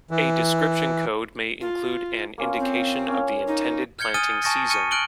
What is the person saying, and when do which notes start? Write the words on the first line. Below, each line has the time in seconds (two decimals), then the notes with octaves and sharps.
A description code may include an indication of the intended planting season.
0.11 E3
1.61 F4
2.38 A#3 C#4 F4
2.59 C4
3.07 A#3 C#4 F5
3.48 D#4
3.99 F6 G6 G#6 C#7 G7
4.14 G#5 D#6 F6 A6 D#7 G7
4.44 G#5 A5 C#6 A6 A#6
4.69 C#6 F6 C#7 D#7
4.91 F6 F#6 D7 F#7 G7